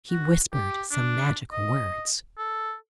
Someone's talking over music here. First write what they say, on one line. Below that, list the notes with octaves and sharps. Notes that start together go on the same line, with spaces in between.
She whispered some magical words.
F#4
G4
D4
D#5
A4